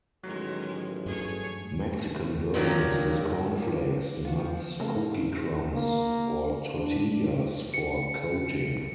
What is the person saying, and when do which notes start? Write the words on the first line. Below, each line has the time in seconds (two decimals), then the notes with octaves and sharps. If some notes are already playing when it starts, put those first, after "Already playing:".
Mexican versions use corn flakes, nuts, cookie crumbs, or tortillas for coating.
0.24 A1 D#3 F#3 G#3
1.06 G2 A3 G#4 C#5
2.54 A#2 D#3 F3 F#3 A#3
4.25 F4 F#4
4.39 F3
4.80 C#3 A3 A#3 A4
5.72 A#3
6.75 D4
7.74 C#7